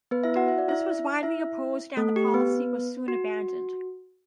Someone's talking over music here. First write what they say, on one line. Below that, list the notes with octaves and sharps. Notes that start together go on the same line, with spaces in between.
This was widely opposed and the policy was soon abandoned.
B3 B4
E4 E5
F#4 F#5
E5
D5
E4 E5
E4 E5
A3 A4
G4
B3 B4
F#4